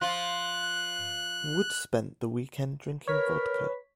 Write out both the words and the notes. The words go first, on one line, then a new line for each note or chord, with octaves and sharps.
Wood spent the weekend drinking vodka.
F3 F4 F#6
A#4 B4 C#5 B6